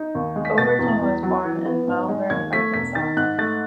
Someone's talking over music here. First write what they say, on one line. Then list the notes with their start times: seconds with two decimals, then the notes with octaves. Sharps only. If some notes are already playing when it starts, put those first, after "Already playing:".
Overton was born in Malvern, Arkansas.
Already playing: D#4
0.15 D#2
0.36 G#3
0.45 B6
0.58 B2 A6
0.79 E2
1.01 E2
1.23 F#3
1.44 E3
1.65 B3
1.88 G#2
2.08 G#3
2.30 D#2 G#6
2.53 A3 B6
2.74 E1 B6
2.95 D#3 A6
3.17 G#2 F#6
3.38 A3 A6